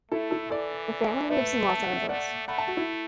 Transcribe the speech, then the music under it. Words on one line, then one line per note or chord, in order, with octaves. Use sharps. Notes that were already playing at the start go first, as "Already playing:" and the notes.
The family lives in Los Angeles.
A3 E4 A4
E4 A4
E3 A4 D5
A3 B4 E5
A5
F#5
E5
A3 D5 F#5
A3 F#5 B5
E5 A5
F#4
E4